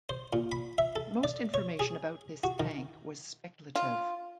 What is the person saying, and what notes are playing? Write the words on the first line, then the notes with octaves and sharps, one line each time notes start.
Most information about this tank was speculative.
C5
A#2
B5
E5
A4
D5
C#5
G#4
F#4
D#3
F4